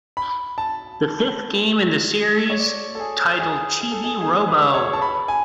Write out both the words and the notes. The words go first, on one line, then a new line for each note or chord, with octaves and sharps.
The fifth game in the series, titled Chibi-Robo!
B5
A5
C#5
D5
A4
G#4
G#4
G#4
A4
G#4
G#4
B4
C#5
A5
B5
G#5